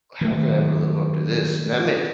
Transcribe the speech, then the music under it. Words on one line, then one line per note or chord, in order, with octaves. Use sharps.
how could I ever live up to this? That ma
D#3 F#3 A3